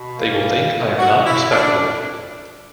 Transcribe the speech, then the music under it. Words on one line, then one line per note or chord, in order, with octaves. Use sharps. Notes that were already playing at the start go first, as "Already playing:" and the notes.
They will think I am not respectable.
Already playing: B2
A#3
F#4
E4
D4